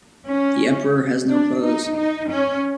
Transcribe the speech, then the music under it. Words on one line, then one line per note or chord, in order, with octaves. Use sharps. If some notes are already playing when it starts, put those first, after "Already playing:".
The emperor has no clothes.
C#4
D4
D#4
D#4
C#4